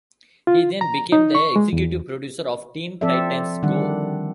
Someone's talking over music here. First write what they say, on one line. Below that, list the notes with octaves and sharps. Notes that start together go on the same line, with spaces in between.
He then became the executive producer of Teen Titans Go!
F4
A#5
D#4
C#6
G#3
E2
F3 C4 A4 D5 E5
D3 D#3 G3 D4 F#5